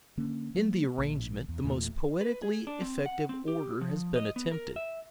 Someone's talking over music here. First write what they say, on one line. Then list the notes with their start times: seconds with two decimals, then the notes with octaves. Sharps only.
In the arrangement, the most poetically effective order has been attempted.
0.17 D3 A#3 C#4
0.55 F#3 G#3 A#3
0.98 A#1
1.49 E2
1.64 E2 A#2 A3
2.21 B4
2.42 G#4
2.67 D4
2.82 C4
3.06 F#5
3.29 C4
3.48 G4
3.81 F3
4.16 D#5
4.36 B3
4.52 A#4
4.76 E5